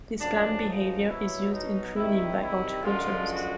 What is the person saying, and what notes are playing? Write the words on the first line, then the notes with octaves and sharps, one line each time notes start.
This plant behavior is used in pruning by horticulturists.
F#2 C#3 F3 D4
D#4
B2 F#3 E4
D#4
C3 D#3 G3 E4
E4
F#2 D3 F3 G#3 F4
F#4